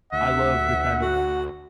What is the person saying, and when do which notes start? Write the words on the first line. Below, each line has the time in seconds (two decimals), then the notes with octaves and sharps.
I love the kind of
0.13 D2 E5 F#5
1.02 F#4